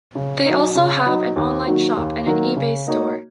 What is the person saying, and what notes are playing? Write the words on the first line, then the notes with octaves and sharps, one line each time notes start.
They also have an online shop and an eBay Store.
C#3
F#3 D#4
C#3
F#3 D#4
D#2
D#3 F#3 A#3 F#4
D#2
D#3 F#3 A#3 F#4
C#3
A#3 D#4 F#4 C#5